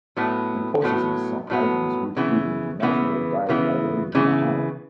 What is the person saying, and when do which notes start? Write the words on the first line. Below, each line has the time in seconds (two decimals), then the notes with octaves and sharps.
It possesses some items which even the National Diet Library does not have.
0.17 A2 F#3 B3
0.83 A2 F#3 B3
1.50 A2 F#3 B3
2.17 C#3 E3 B3
2.82 C#3 E3 B3
3.49 C#3 E3 B3
4.15 C#3 E3 B3